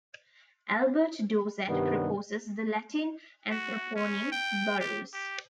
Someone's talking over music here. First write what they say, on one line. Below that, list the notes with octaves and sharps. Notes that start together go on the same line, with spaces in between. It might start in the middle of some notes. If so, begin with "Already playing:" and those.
Albert Dauzat proposes the Latin anthroponym "Barus".
G2 C3 D#3 G3 B3
F#4
C#4
G5
G4
G4